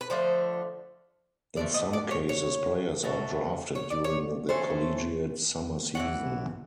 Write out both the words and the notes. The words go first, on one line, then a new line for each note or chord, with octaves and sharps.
In some cases, players are drafted during the collegiate summer season.
B4
D3 F3 A3 C5
D3 F3 A3 D5
D#5
D5
C#5
C#5
B2 F#3 A3
C#5
D5
C#5
E3 A3 C#4 C5
E3 G#3 C#4 F#5